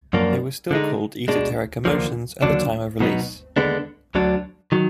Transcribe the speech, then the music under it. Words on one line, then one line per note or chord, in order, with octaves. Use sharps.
They were still called Esoteric Emotions at the time of release.
F#2 F3 A#3 D4
D3 G#3 D#4
B2 G#3 D4
D#2 D3 F3 A#3
D#2 D3 F#3 D4
B2 F#3 B3 D#4
D#2 D3 G#3 B3 D4
D2 D3 F#3 D4
D#3 F#3